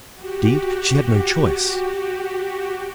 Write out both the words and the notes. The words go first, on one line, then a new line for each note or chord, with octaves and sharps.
Indeed, she had no choice.
F#4 G4